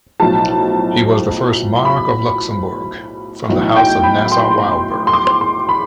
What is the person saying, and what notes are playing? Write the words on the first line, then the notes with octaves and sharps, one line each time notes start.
He was the first monarch of Luxembourg from the House of Nassau-Weilburg.
B1 A2 F3 A5
B5
B1 A2 E3
G5
B5
C6
C6
D6
C6
B5